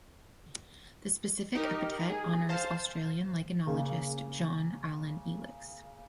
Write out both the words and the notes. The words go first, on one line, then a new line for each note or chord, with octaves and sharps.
The specific epithet honours Australian lichenologist John Alan Elix.
D#4 G4 A#4
G#4
C5 F5 A5
C#3 A#3